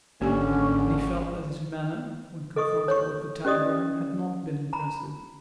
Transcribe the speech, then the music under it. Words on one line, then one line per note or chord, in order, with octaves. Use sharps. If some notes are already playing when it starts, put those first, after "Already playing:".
And he felt that his manner when confronted with the telegram had not been impressive.
G#1 D3 A#3 C#4 G4 G#5
A4 D#5 C#6 D#6
C#5 C#6
C#4 G4 D5 D#5 D#6
A#5 B5